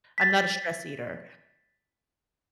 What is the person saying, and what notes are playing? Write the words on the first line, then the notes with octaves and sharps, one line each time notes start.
I'm not a stress eater.
A6 B6